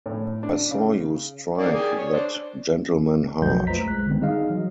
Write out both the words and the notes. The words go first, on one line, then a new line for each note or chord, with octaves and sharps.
I saw you strike that gentleman hard.
A2
D4
C#3
D#3 A#3 D5
G4 G#4 D5
C#5
D4 C5
B1 F2 F3 F#3 D#5 G6
A3 F4 B4 C5 A#5 B6
B1 G#3 F#6
D3 D#3 G3 G#3 B3 C4
D#4 G#4 D#5 F5
E3 F#3